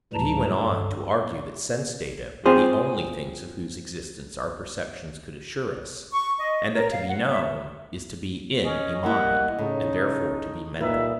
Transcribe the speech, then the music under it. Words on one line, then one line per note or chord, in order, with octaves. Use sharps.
But he went on to argue that sense-data were the only things of whose existence our perceptions could assure us; and that to be known is to be 'in' a mind, and therefore to be mental.
D2 A2 E3 G3 A5 A#5
G2 A4
C4 F4 G#4 C5
C#6
D#5
A#4
F5
F#5
E5
C#4 D#5
G3 A#3 E4 F#5
A2 C#3 D#4
A#2 G3 D#4 B4 E5